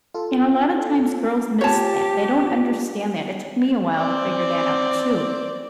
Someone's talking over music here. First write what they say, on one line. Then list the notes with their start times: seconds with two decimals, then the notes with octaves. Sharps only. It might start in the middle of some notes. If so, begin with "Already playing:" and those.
And a lot of times girls miss that, they don't understand that, it took me a while to figure that out too.
0.14 F4 A4
1.61 F4 G4 C#5 A5
3.95 C4 D5